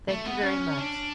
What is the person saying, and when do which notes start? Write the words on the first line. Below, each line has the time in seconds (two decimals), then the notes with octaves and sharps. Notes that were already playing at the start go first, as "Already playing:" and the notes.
Thank you very much.
0.08 A3
0.25 B3
0.43 C#4
0.77 D4